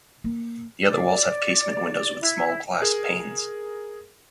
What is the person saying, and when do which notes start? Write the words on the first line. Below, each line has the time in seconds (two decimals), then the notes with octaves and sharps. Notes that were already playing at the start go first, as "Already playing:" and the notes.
The other walls have casement windows with small glass panes.
0.24 A#3
0.87 D5
2.20 E4
2.81 G#4 A#4